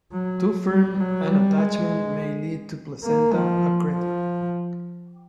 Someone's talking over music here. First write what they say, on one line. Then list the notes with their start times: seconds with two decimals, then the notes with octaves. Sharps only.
Too firm an attachment may lead to placenta accreta.
0.12 F#3
0.71 G3
1.00 F#3
1.29 G3
1.58 G#3
3.04 A#3
3.33 F3
3.91 F3